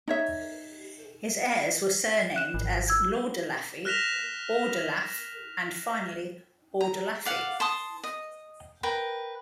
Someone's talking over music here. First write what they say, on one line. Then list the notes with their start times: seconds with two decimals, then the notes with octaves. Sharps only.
His heirs were surnamed as "Lordelaffi", "Ordelaf" and finally "Ordelaffi".
0.08 D#4 C#5 E5
2.36 F#6 E7
2.54 G#1
2.88 E6 G#6
3.85 F6 F#6 A#6 B6 E7 F7
6.81 A#5
7.25 D5 F5 F#5
7.60 A5 C6 D#6
8.04 D#5
8.83 A#4 B4 G5